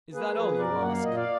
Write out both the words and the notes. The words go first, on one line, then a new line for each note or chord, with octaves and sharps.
"Is that all you ask?"
A#3 G#4 B4
F3
F#2 A#4 D5
A#3 F#5
F5
A#2 D#5
D5 F5